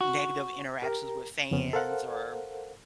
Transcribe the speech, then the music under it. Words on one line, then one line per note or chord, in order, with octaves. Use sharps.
negative interactions with fans or,
F#4
G4 A#4 A#5
F2 C#3 B3 C#4
A4 A#4 C5 F5 F#5